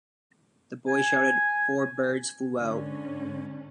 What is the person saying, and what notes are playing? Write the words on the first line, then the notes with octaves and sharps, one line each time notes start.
The boy shouted; four birds flew out.
G#5
G#2 D3 C#4